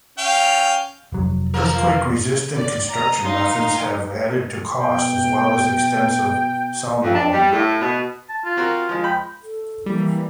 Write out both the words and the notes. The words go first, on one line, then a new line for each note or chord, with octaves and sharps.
Earthquake resistant construction methods have added to costs, as well as extensive soundwalling.
C#4 F5 G5
F1 F#3
F3 A#3 A#4
D5
A#5 D#6
D#4 F5 C6
B2 G5
F2
D4
G3
A2
B2
A5
F4
C4 F#4 A#4
F3 G#3
G5 B5
A4
E3 G3 A#3